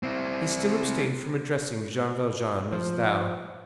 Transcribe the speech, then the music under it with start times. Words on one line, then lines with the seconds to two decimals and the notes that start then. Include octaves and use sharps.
He still abstained from addressing Jean Valjean as thou.
0.03 C4 E4
2.72 F3